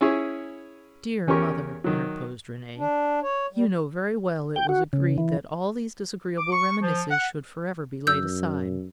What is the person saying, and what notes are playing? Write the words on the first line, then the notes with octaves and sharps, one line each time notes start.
"Dear mother," interposed Renee, "you know very well it was agreed that all these disagreeable reminiscences should forever be laid aside."
C#4 E4 G#4 C#5
E2 C#4 G4 A#4 C#6
D#3 F#3
D4
C#5
G3
G5
F#4
C#3
E3
D6
C#6
F3
F#5
F#2 E6 G6